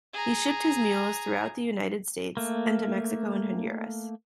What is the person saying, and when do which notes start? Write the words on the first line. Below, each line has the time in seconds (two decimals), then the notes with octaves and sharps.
He shipped his mules throughout the United States, and to Mexico and Honduras.
0.14 G#4 A#5
2.37 A3 A#3